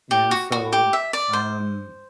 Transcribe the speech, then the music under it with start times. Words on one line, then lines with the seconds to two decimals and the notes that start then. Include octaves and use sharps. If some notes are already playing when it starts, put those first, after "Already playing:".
and so, um
0.11 G4
0.31 F#4
0.52 F#4
0.73 G4
0.93 E5
1.13 D5
1.33 C5